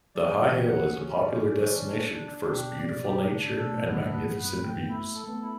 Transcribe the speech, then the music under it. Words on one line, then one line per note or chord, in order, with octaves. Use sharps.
The high hill is a popular destination for its beautiful nature and magnificent views.
F#3 D5
E3 G4
C#3 F#5
C#4
D5
C#4
D4
D4
D4
B2 G4
D5
B2
G4
C#3 D4
A2
B2 A4
A2
A2 B3
G2
A2 B4
F#2
B4
A2
G5
B3
A3 E4
A4
A3
B3
E4